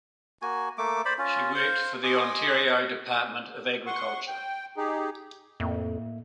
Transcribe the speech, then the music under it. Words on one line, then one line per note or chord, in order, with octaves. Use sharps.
She worked for the Ontario Department of Agriculture.
A#3 F#4 G#5
A3 A#3 D6
C5 D5 B5
C#4 F4
C5 F5
D#5 G#5 C6 D6
F#5 C6 C#6
G5
D#4 G4 G#4
F2 A2 A#3 E5